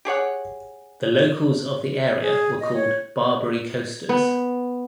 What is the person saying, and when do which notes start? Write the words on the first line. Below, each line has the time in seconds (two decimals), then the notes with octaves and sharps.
The locals of the area were called "Barbary Coasters".
0.05 G4 G#4 C#5 F#5
2.21 G#4
2.60 D#5
2.74 C#5
4.09 B3